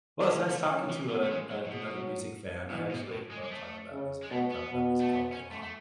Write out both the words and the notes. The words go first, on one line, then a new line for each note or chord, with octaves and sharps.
Well, it's nice talking to an another music fan. I actually love talking about music. I could talk about music all day long.
D4
A3 C#4
A3
C#4
E3
F#3 B3
A3
G#3
F#3 G#3
A2
B2
F#3
B2 E3
B2
A2
G#3
G#3
A3
C#3
G#3
B2 A3
B3
B2
A3
B3
C#4
A3
A3